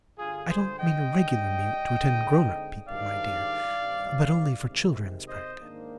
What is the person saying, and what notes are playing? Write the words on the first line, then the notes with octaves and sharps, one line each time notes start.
'I don't mean a regular mute to attend grown-up people, my dear, but only for children's practice.
G2 D3 G3 F4 G#4
G#4 C5
D#5 G5
G#2 G3 D4
D3 G#3 C4 D#4
G#2 D#3 G3 D4 D5 F5
G2 D#3 G3 C4
C3 D#3 G#3
C5 D#5
G#2 D#3 A#3 D4